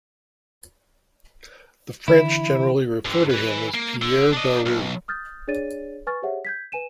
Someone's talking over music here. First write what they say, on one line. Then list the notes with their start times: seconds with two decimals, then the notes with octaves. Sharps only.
The French generally refer to him as Pierre Daru.
2.08 D3 E3 E4
3.05 G2 D3
3.30 B4 G#5
3.74 A#3
4.02 D3
4.34 D4 D#5
4.66 B1
5.08 D#6 F6 G6 A6
5.48 D4 G#4 C#5 D5 A6 D#7
6.07 B4 G#5 C#6 F6 A6
6.22 G4 G#4 C5 C#5 E5 F#5
6.45 G6 G#6 B6
6.72 B4 G#5 D#7 E7